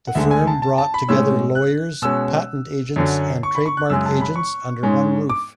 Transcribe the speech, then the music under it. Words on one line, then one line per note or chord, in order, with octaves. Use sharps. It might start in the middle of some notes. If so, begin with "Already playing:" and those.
The firm brought together lawyers, patent agents and trademark agents under one roof.
F#5
D2 D3 G#3 E5
G#5
A5
A5
A5
B5
A2 G#3 C#4 E6
F#6
B2 G#3 C#4 E6
F#2 D3 F#3
C#6
B5
C#6
F#6
F#2 C#3 G#3 E6
A5
B5
C#6
G#2 G#3 C#4
D6